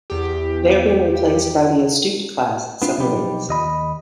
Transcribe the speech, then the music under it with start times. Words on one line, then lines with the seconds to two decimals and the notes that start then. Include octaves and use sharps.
They are being replaced by the "Astute"-class submarines.
0.10 E2 G4
2.82 B3 D4 F4
3.00 B1 F3 D#4 G4 B5
3.49 D#2 D#5 B5